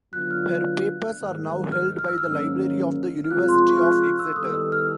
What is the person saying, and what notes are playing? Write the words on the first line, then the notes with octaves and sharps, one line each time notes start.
Her papers are now held by the library of the University of Exeter.
D3 F#3 B3 D4 F4 F#6
F6
F#6
G#2 D#3 G3 A#3
F6
F6
E6
F6
G#2 D#3 F#3 A#3 C#4
F6
C3 F3 G#3 C4 F4 F#6
C6
C#6
F6
F#6
F6
E6
D#3 G3 B3 E4 A4 D#6
E6
F6